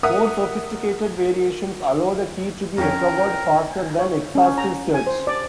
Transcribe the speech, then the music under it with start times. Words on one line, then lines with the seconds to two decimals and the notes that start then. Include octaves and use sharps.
More sophisticated variations allow the key to be recovered faster than exhaustive search.
0.03 A#4 E5 F#5 D#6
2.78 F2 C#4 A#4 G5
3.99 C#5
4.35 C#4
4.58 A#5
4.94 G#5
5.07 C5
5.27 D5